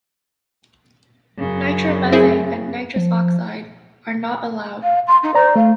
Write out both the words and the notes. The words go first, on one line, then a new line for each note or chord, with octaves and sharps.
Nitromethane and nitrous oxide are not allowed.
F#2 C#3
C4 E4 G#4
F3
F5
C6
D#4
C5 D5 A#5
A3 F5